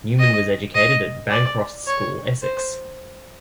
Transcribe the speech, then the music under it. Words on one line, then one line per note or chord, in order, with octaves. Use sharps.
Newman was educated at Bancroft's School, Essex.
D#5
D#5
D5
C#5
C5